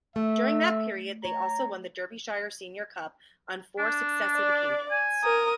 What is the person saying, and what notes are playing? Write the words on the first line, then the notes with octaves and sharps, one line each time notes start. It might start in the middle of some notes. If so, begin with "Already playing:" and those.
During that period they also won the Derbyshire Senior Cup on four successive occasions.
A3 E5
C#5 A#5
D4
D5
G#5
A#4 D#6